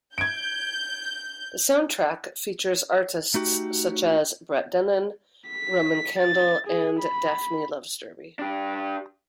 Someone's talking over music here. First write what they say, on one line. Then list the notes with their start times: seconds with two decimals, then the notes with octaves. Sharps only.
The soundtrack features artists such as Brett Dennen, Roman Candle and Daphne Loves Derby.
0.18 G6 G#6 D7
3.34 A3 D#4 F#4 G4
5.49 B6
6.19 A6
6.67 G#4
7.00 B5
8.39 D4 G4